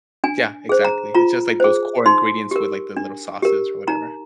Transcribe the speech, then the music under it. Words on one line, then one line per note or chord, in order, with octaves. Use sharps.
Yeah, exactly, it's just like those core ingredients with, like, the little sauces or whatever.
D4 G#5
G#4 C5
A#5
F4 A#5
G#4 C5
D#4 C6
G4 A#4
D4
G4 A#4
D#4 A#5